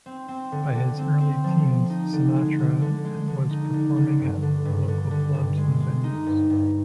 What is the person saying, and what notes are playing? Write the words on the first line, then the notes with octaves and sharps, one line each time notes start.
By his early teens, Sinatra was performing at local clubs and venues.
C4
C4
D3
D3
C4
C4
F3
F3
D#4
D3
G#3
D3
D3
G#3
D3
D#4
D3
D3
G2
D3
G2
D3
D3
G2
G#3
G#3
D#4
G2
G2